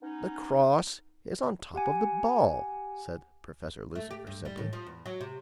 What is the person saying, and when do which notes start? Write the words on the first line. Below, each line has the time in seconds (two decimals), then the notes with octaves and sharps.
"The cross is on top of the ball," said Professor Lucifer, simply.
0.02 B3 C#4 D#4
1.74 G4 F#5 G#5
3.96 A3
4.11 G4
4.27 G2
4.45 G3
4.57 A2
4.73 F3
4.86 E2
5.06 F#3
5.21 C3